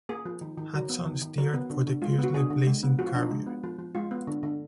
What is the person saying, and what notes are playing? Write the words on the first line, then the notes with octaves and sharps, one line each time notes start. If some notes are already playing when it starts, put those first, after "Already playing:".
"Hudson" steered for the fiercely blazing carrier.
A#3 G#4
F3
D#3
D#3
F#3 A#4
B3
D#3
D#3
F#3 A#4
B3
D3
D3
G#3 F4
B3
F#4
D3 G#4
D3
G#3
B3
F3 F#4
F4
F3 D4
D#4
G#3
B3
F3
F3
G#3 F4
B3
D3
D3